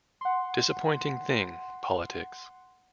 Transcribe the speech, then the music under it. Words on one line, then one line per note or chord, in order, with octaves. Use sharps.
Disappointing thing, politics.
F#5 C6